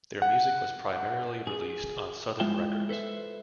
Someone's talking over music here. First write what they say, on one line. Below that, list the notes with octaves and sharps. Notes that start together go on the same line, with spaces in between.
Their music was primarily released on Southern Records.
F#5
G#4
G#3 E4 F4 C5 E5 G5
A4 B4 C5 E5